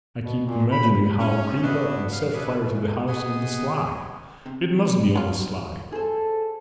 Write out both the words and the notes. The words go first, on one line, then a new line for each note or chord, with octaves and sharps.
I keep imagining how I'll creep up and set fire to the house on the sly; it must be on the sly.
B2
A#2
B5
C#4
B3 D4 E4 F#4 B4 D#5
F5
A3 D4 G#4 B4
C#3 E3
B3 G#4 D#5
C3
F#3 F4
G#4 A4 C5